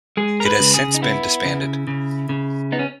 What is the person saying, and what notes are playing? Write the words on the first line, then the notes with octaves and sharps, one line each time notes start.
It has since been disbanded.
G#3 G#4
A#4
B4
C#3
G#4
D#4
B3 E4
C#3
C#3
C#3
B3 D#4
C#4